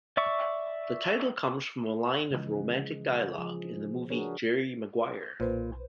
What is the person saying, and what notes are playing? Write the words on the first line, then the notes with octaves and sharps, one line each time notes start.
The title comes from a line of romantic dialogue in the movie "Jerry Maguire".
D5 E5 C#6
C#3 E3 F3 G#3 B4 D#5
F3 G#4
D4 F#4 G#4 A#4 B4 C#5
B1 A#2 B4 C5